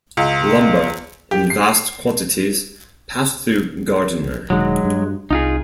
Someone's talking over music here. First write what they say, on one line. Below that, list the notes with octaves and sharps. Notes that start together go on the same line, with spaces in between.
Lumber, in vast quantities, passed through Gardiner.
C#2
G4
C7
E1 D#3 F#3 G#3
G2
C2 D#4 F4 G#4